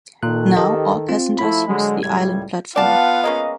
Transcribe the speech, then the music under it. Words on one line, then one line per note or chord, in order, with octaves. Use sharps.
Now all passengers use the island platform.
A#2 D#3 A4 F#6
G4 A#4 D#5
C4 F4
F3 A3 E4 B5
D3 F#3 G#3
C#2 A2 G3 G#6
B3 F4 D5 F5 F#5 A5
G#3 A#3 C#4 D#5